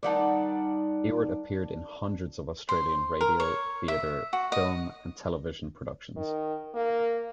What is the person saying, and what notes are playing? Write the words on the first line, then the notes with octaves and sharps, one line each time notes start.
Ewart appeared in hundreds of Australian radio, theatre, film and television productions.
D#3 G3 D#4 D5 F#5 A5
C5
A#4
C#5
E5
F#4
D#5
D#3
A#3